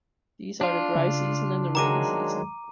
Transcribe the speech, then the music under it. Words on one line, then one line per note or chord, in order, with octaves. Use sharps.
These are the dry season and the rainy season.
D4 F4
C#3
D#3 F#3 G#3 A#5 D6 D#7